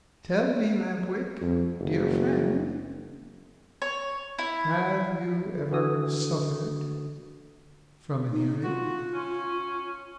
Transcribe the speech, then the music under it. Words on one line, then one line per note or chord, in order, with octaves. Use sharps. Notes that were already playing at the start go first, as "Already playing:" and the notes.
"Tell me, Lamp-Wick, dear friend, have you ever suffered from an earache?"
F2
F#1
C#5
E4
D3 F#4 D#6
D#4
F4 F#4
C#4